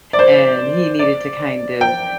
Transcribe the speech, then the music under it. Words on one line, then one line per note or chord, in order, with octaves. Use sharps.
and he needed to kind of
D5
C5
D5
G5